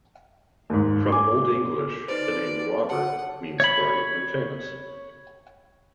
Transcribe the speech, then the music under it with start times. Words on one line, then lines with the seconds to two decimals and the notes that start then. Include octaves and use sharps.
From old English, the name "Robert" means bright and famous.
0.70 D#2 G#2
1.12 G#5 D6
2.08 D#4 B4 C5 D5
2.89 F#5 A5
3.60 C#5 B5